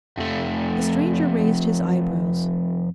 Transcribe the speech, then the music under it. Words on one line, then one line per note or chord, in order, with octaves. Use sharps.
The stranger raised his eyebrows.
F2 A3